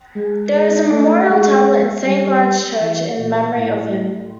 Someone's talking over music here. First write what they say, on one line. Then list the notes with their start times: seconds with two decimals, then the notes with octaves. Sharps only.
There is a memorial tablet in Saint Lawrence Church in memory of him.
0.15 G#3
0.53 G#3
0.91 A3
1.30 G#3
2.05 G3
2.81 E3
3.18 A#2
3.57 A2